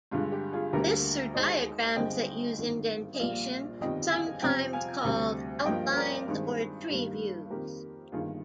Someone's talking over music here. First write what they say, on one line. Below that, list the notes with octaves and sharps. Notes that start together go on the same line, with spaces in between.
Lists or diagrams that use indentation, sometimes called "outlines" or "tree views".
G2 D3 G#3 F4
G4
F4 G#4
D2 D3 G3 A#3 G4 A#4
D#2 D#3 G#3 C5 D#5
G1 G2 D3 G#3 C4 D#5 G5
G#1 G2 D#3 G3 A#3
D#5
A#1 A#2 G3 A#3 D5 F5
G1 F2 D#3 G3 D#5 G5
F5 G#5
F2 C3 F3 C4 G5 A#5
F5 G#5
D2 C3 G3
G2 F3 A#3 D#5 G5
C5
A#4 D5
G2 D#3 G#3 C4
G2 D#3 G3 A#3
F2 D#3 A#3 G4 A#4
G1 G2 D#3 A#3 F4 G#4